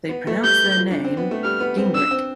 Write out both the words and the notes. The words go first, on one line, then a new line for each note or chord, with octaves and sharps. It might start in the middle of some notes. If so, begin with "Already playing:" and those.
They pronounce their name "Gingrick".
B3
A3
G3 G6
F3
D4
C4
B3
A3
G3 F6
B3
C4
D4 E6
C4